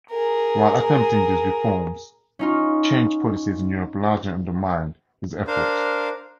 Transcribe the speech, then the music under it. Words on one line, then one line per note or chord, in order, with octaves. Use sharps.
While attempting these reforms, changed policies in Europe largely undermined his efforts.
G#4 A#4
C#4 D#4 F4
D4 A#4 C5 F5